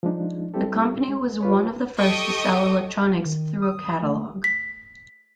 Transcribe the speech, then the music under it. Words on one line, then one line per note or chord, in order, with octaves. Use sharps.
The company was one of the first to sell electronics through a catalog.
F3 G#3 D4 D#4
G3 C4 E4 G4 A4
G#3
F4 B4 C#5
G4 A4 D#5 G5 C#6 D#6
D#3
D#6
A3
B6